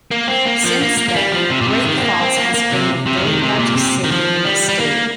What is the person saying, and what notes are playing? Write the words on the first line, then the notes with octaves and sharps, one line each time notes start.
Since then Great Falls has been the third largest city in the state.
A#3
C4
A#3
F3
A#3
A#3
A#3
G3
F3
C3
A#2
C3
D#3
C4
A#3
C4
A#3
A#3
C3
C3
F3
D#3
C3
A#2
C3
D#3
F3
G3
G3
A#3